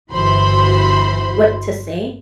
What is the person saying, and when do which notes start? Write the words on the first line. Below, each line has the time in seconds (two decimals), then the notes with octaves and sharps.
what to say,
0.11 G1 E3 F#4 C5 B5 C6